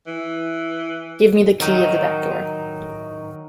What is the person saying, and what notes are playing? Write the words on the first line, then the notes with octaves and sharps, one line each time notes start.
Give me the key of the back door.
E3
D#3 F#3 D#4